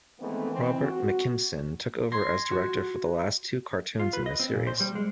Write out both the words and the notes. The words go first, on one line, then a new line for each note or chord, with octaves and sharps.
Robert McKimson took over as director for the last two cartoons in this series.
D#3 E3 G#3 A3 B3 C4
E3 C4
F#4
C6 G#6 A#6
F#4
F4
B4
D#5
C4
A#2
C5
G3
G#3